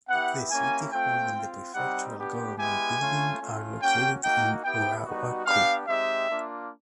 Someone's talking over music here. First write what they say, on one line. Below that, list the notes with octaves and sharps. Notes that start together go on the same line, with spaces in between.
The city hall and the prefectural government building are located in Urawa-ku.
B3 E4 G4 F#5
A#3 C#4 E4 G4 G#5
A3 C4 F4 G5
C4 F4
G3 C4 D#4 G4 F#5
B3 D4 G4
G#3 B3 E4 G4 G#5
A3 C#4 F4
A3 C#4 F4
A#3 C#4 F#4 G5
A#3 D#4 F#4 G5
B3 E4 G4 G5
G3 B3 D#4 F#4
B3 D4 G4 F5
G#3 C4 D#4 G4 E5
A#3 D4 F4